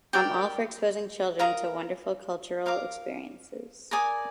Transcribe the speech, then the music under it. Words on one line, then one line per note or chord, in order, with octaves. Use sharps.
I'm all for exposing children to wonderful cultural experiences.
G4 A#4 D5 G5
A#4 F5 A#5 D#6
A#4 F5 A#5 D6
A#4 D5 G#5 D#6